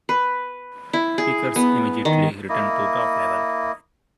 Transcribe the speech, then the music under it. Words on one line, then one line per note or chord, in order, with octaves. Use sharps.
Kickers immediately returned to top level.
B4
E4
G#4
B3
D#3
A#3 E4 D#5